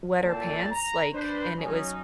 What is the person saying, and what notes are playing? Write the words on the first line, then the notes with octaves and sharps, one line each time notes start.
wet her pants, like, and it was
F#1 A#2 A#3 C4 A4 A5
A#5
D4 B4 C5
F#3 C#4 D#4